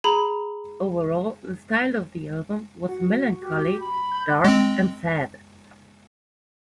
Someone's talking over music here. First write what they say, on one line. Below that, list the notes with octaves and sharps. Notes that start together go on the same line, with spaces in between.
Overall, the style of the album was melancholy, dark and sad.
G#4 A#5 B5
F#4 F#5
G4
B5
G6
G#3 C4